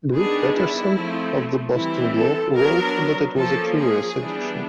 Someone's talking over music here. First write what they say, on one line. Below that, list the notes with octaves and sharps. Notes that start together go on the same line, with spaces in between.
Britt Peterson of the "Boston Globe" wrote that it was a "curious addition".
D#3 G3 B3 D4 G#4
E4
F3 A3 C4
E3 G3 C4 E4
A4
F#3 B3 D4 A#4
F3 A#3 C#4 A4
G#4
E3 G3 B3 D4